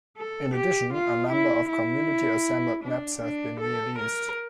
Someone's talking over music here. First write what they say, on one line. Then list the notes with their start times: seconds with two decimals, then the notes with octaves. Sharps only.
In addition, a number of community assembled maps have been released.
0.17 A4
0.55 G4
0.93 F4
1.31 E4
1.69 E4
2.84 D4
3.22 D4
3.60 A4
3.99 A#4